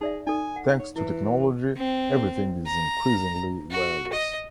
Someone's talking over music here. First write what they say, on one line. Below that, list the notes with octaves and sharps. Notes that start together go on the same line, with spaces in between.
Thanks to technology, everything’s increasingly wireless.
D#4 G#4 D5 E5
D#4 A4 G#5
F#5
C#5
E3 E4
C4
A#5
F#4
D#5